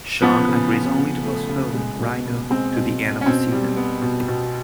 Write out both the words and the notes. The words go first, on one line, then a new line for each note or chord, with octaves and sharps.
Sean agrees only to postpone rhino to the end of the season.
F3 B3
C#3
F3
C#3
A3
C#3
G#3
B2
B3
G#3 C4
B2
B2
C#4
B2 C4
G3
B3
B2
B2